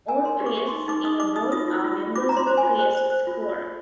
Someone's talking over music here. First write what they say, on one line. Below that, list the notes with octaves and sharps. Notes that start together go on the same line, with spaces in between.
All priests in a ward are members of a priests quourm.
A#4 G#5
A#4 C6
G4
D6
G4
D#4 C6
D#4 D6
D#4 D#6
D#4 D6
D#4 D#6
F4 D#6
F4
F4
F4
F4 D6
A#5
F4 C6
C5
G#5
F4
C5
C5
C5
F4
F4
F4